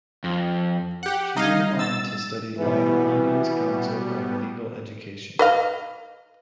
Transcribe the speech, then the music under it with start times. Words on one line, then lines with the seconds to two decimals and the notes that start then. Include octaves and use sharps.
She went on to study Law at London's Council of Legal Education.
0.24 F2
1.03 G4 F#5
1.37 G3 D#4 D#5 F5 G#6
1.79 E6 A6
2.58 B2 E3 G3 B3
5.39 B4 D#5 F5